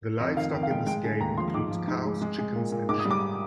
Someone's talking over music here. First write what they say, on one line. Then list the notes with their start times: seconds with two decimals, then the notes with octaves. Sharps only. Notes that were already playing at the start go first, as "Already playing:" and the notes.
The livestock in this game includes cows, chickens, and sheep.
0.20 F2 D#5
0.37 D#3 F5
0.53 F2 G5
0.63 F5
0.71 G#3 G5
0.87 G#3 G5
1.04 D3 G#5
1.21 D#2 A#5
1.38 F3 C6
1.54 G#2 D6
1.71 F3
1.88 G#2
2.05 G#3
2.22 G#3
2.38 G#3
2.55 A#2
2.72 A#2
2.89 G#2 D6
2.99 D#6
3.05 G3
3.11 D6